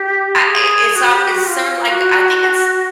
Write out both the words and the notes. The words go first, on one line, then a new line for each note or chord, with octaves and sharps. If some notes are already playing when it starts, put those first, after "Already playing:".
I i it's so it's sorta like, I think it's
Already playing: G4
G#4
F#4
G4
F#4
G4
F4
F#4